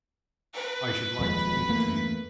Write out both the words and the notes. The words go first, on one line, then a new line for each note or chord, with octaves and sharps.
I should like to read it to you.
B4
D#1 F2 G#3 B5
E2 A3 A#3